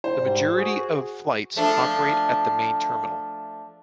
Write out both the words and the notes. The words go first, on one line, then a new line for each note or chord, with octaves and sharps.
The majority of flights operate at the Main Terminal.
C5
G#2 G3
F#4 G#4
F3 A3 D4